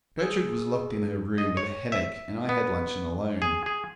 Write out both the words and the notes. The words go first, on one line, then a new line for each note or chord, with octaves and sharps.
Gertrude was locked in her room with a headache, and I had luncheon alone.
G#4 E6
D#5
C#5
E5
B3
G#4
G#4